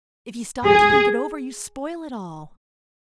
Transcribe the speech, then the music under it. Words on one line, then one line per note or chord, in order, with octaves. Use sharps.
If you stop to think it over you spoil it all.
G#4